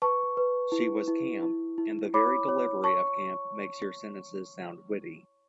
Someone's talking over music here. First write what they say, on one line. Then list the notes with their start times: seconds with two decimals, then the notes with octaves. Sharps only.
She was camp, and the very delivery of camp makes your sentences sound witty.
0.02 B4 A5 C#6
0.37 B4
0.72 E4
1.08 E4
1.42 E4
1.78 E4
2.14 C#5 B5 D6
2.49 C#5
2.84 C#5 A5 C#6